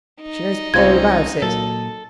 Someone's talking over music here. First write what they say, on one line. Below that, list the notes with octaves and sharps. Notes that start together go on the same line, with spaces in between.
She knows all about it.
D#4
C2 G#3 C4 C#4 F4 C5 G#6
A#2 F#3 A#3 A4